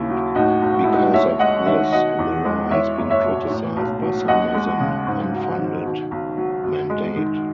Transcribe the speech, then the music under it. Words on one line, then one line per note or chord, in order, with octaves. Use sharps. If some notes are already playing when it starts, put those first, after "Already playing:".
Because of this, the law has been criticized by some as an unfunded mandate.
Already playing: D#2 C#3 E4
F#3
A2 D#4 F#4
B1
F#4
G#3 E4
D#4 F#4
D#2 C#5 E5
G#3 D#5 F#5
D#3 C#5 E5
B2 D#5 F#5
E2
G#3
E2 C#5 E5
F#1
C#5 E5
B2
A2
B1
F#3
D#2 D#5 F#5
G#3
C#3
G#2
F#3
D#3
B2
B1
F#3
F#2
G#3
D#3